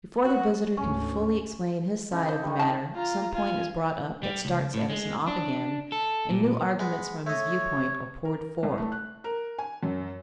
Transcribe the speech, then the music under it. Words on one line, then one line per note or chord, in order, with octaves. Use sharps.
Before the visitor can fully explain his side of the matter some point is brought up that starts Edison off again, and new arguments from his viewpoint are poured forth.
F#4
D2 G#2 C#4
C#3 D4 D#4
C5
D#3 G3
C#3 D#5 A5
F4 A#5
F4 G#5
G3
C#2
A2
G#3
D4
A4
A#2
G#3 B3
A3 C#5 D#5
A#4
C2
A3
F#6
A#4
G#5
F#2